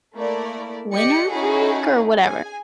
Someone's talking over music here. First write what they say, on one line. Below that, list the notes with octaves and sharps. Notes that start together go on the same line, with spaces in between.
winter break or whatever.
A3 A#3 E4 D5
G4 D5 D#5 C#7
C#4 D#4 E4 F#4 G#4 A4
G#4 G#5